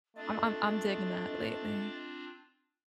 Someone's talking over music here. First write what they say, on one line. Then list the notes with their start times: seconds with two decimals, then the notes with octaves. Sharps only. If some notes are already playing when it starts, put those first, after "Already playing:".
I'm I'm I'm digging that lately.
0.16 A3 C4 D4 F4 D#5 A6